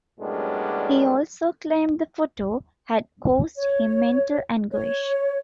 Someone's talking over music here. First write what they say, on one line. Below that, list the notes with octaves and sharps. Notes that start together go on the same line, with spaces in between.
He also claimed the photo had caused him mental anguish.
F#2 A2 G3 G#3 B3 D4
C#5
C#5